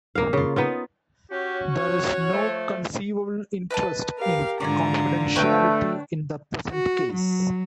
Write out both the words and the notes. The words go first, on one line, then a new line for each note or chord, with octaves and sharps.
There is no conceivable interest in confidentiality in the present case.
A#3 F5
C#3 F4
B3 D#4 F4
C#4 F#4 G4
C#5
F3 A3
B4 D#5 A5
G4 A#4 F5
G#2 D3 F4 D5 G#5 A#5
A3 D4 B4 C#5 G5
F#4
F#3